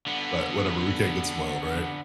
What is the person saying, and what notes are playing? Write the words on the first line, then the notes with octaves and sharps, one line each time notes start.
But whatever, we can't get spoiled, right?
D3 B3